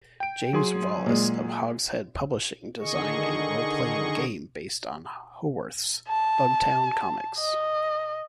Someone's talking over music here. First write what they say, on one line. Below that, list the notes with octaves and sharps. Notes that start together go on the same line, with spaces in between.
James Wallis of Hogshead Publishing designed a roleplaying game based on Howarth's "Bugtown" comics.
G5 D7
F#3 G#4 C6
A#2 G#3
D3 D#3 G#4 D#5 C#6
A5
D#5